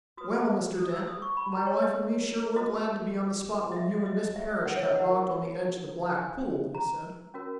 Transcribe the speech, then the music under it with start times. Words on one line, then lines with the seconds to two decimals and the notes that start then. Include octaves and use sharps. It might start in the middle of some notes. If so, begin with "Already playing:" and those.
"Well, Mr. Dent, my wife and me sure were glad to be on the spot when you and Miss Parrish got bogged on the edge of the Black Pool," he said.
0.17 F#4 B4 D#6
0.78 D#6
0.92 E6
1.07 D#6
1.22 C#6
1.37 B5
1.52 A#5
1.67 C#5
1.82 D#5
2.56 F#4 B4 D#5
3.72 D#5
3.76 E5
3.91 D#5
4.06 D#5
4.21 D#5
4.36 E5
4.51 E5
4.65 F#5
4.76 C#5
4.80 D#5
4.95 E4 A#4 C#5 F#5
6.15 G#5
6.75 A#5
7.34 C#4 F#4 A#4